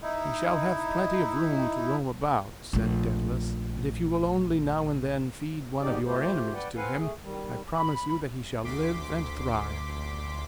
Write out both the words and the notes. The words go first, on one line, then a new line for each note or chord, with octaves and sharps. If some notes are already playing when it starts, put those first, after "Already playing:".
"He shall have plenty of room to roam about," said Daedalus; "and if you will only now and then feed one of your enemies to him, I promise you that he shall live and thrive."
D#4 E4
A#1 A3
G#2 B2 D#3 D#4 G4 D5
A3 F4 G4 C5
B4 D5 F#5 G5
C4 B4 F5 F#5 G#5
A3 G#4
D#3 G3
B5
D2 C6 D6 B6